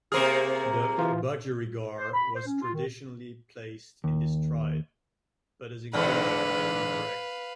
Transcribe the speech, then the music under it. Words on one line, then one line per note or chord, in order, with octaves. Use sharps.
The budgerigar was traditionally placed in this tribe, but this inclusion is incorrect.
C3 A#3 G#4 C5 F6
E3 F4
C5
B5
C5
C#4
F4
D#3
D#2
E2 G#2 D3 B4 F5